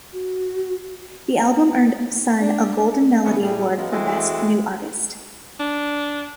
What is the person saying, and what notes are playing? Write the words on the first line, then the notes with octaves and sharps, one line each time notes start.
The album earned Sun a Golden Melody Award for Best New Artist.
F#4
D4
D3 E3 B3 C#4 D#4 E4
A2 G3 G#4
F3 F#3 G#3 B3 C#4 F4
E3 G#3 A3 C4 E4 F#4
D4